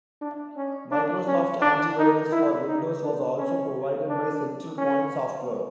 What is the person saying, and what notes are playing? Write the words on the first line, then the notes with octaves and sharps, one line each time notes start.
Microsoft Anti-Virus for Windows was also provided by Central Point Software.
D4
C#4
D4
C#4
D4
D#4
E4
D#4
D4
C#4
D4
C#4